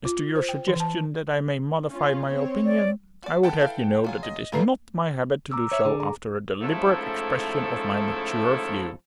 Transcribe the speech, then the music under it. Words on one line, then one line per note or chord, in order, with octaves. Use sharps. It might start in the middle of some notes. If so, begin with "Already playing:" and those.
As to your suggestion that I may modify my opinion, I would have you know that it is not my habit to do so after a deliberate expression of my mature views.
F4
C5
G5
E3
A5
C#4 F4
C4 C#5
D5
F#4 D5
B3 A4 F#5 G5 A5
E3 A4 F5
F#3 F4 G#4
D#5
C2 G3 A3 A#3 B4 A#5 C7
A#5 D6 E6
C#5 E5
D3 G#4 D6
A#5
G#2 F3 A3 C#4 E4 A4